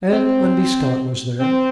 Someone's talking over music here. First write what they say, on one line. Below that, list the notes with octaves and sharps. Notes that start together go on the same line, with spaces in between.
And Undy Scott was there.
C4
C4